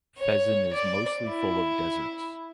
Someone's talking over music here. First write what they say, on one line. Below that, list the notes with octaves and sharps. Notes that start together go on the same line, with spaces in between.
Fezzen is mostly full of deserts.
C#5
D5
E4